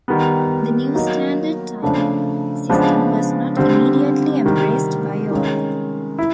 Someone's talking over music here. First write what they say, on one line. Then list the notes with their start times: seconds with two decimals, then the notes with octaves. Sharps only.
The new standard time system was not immediately embraced by all.
0.08 D#3 G3 B3
0.94 F#3 A#3 D#4
1.82 C#3 F3 A3 D4
2.69 C#3 F3 G#3 B3 D4
3.57 D3 G3 C4
4.44 C3 D#3 G3
5.31 D#3 G#3 C#4
6.19 E4